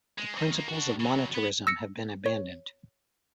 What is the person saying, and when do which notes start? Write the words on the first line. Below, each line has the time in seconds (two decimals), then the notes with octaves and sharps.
The principles of monetarism have been abandoned.
0.18 G#3
0.38 C4 C#4
0.51 D#3 A#3
0.68 D4 F#4
1.00 C#3 F#3
1.35 B3
1.67 E6 A#6 C#7
2.26 C#5